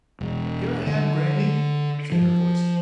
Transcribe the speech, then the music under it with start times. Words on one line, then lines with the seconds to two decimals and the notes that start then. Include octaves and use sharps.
"Here I am, grannie," said her voice.
0.21 E1
0.86 D3
2.12 F3